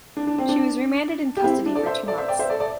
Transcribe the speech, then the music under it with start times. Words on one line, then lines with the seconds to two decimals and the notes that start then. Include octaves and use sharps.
She was remanded in custody for two months.
0.17 D4
0.27 D4
0.38 C4
0.49 D4
1.37 G4
1.44 C4 E4
1.66 D4
1.75 A4 D5
1.86 C5 E5
2.07 A4 D5
2.18 C5 E5
2.28 D5 G5
2.39 C5 E5
2.50 A4 D5
2.60 A4 D5